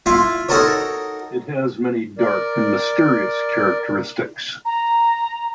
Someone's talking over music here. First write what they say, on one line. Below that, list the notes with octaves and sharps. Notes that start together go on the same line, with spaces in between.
It has many dark and mysterious characteristics.
E4 F4 F5
D#4 F#4 A4 A#4 C#5
A#4 D5
A#5